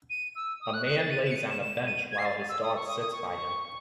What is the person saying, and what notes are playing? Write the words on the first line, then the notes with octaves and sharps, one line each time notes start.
A man lays on a bench while his dog sits by him.
D#7
E6
D#6
F#6
F#6
A6
D#7
E7
C#7
D#7
E7
E7
D#7
G#6
C7
A6
E6
D#6
C#6
D#6
D#6
C#6